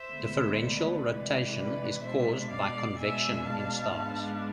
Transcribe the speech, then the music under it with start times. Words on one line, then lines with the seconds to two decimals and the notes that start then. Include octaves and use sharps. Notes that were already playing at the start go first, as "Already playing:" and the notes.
Differential rotation is caused by convection in stars.
Already playing: C5 E5
0.11 D2 D3 G#3 B3
0.58 B4 D5
1.07 C3 E3 G#3
1.54 B4 D5
2.02 B2 G#3 D4 C5 E5
2.50 D5 F5
2.98 B2 G#3 D4 E5 G#5
3.46 F5 A5
3.94 G#2 G#3 B3 D4